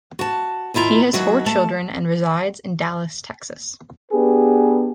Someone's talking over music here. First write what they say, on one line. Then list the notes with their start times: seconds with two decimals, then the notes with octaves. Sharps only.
He has four children and resides in Dallas, Texas.
0.19 F#4 A5
0.74 D#2 A2 E4 F4 A#5
1.13 D#2 F#3 F#4 E5
1.46 A3 A5
4.12 B3 D4 G4 G#4 B4